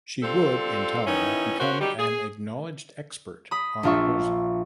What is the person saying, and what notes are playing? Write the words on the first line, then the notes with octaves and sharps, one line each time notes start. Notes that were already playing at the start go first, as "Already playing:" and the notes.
She would in time become an acknowledged expert on Herzen.
G3 C4 D4 F4 A4
D#3 E3 C#4 D#4 E4
B3 C#4 F#4 A#4 C5
F#3 G3 D#4 G4
G#4
B5 D#6
A#1 D4 F4 E5 C#6